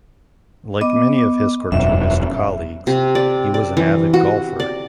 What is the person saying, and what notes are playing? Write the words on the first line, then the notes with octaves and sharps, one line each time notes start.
Like many of his cartoonist colleagues, he was an avid golfer.
B3 D#5 D6
E1 F#2 E5
C3
D5
D5
E3
F#4
D5